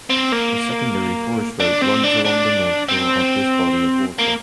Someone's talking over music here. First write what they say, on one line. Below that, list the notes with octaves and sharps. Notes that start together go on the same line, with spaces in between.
A secondary forest road runs along the north shore of this body of water.
C4
A#3
D4
C4
D4
D4
C4
A#3